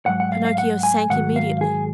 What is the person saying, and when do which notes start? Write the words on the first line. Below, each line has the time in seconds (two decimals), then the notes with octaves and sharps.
Pinocchio sank immediately.
0.06 G#2 F#3 F#5
0.20 F#5
0.32 F5
0.45 F5
0.58 F#5
0.83 G#5
1.10 G#2 D#3 F#3 F#5
1.36 F5
1.61 G#4